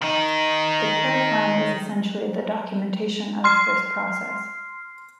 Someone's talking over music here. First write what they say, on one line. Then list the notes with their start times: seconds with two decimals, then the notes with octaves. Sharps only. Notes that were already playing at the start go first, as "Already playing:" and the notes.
The care plan is essentially the documentation of this process.
0.02 D#3 D#4
3.44 C6 F6 C7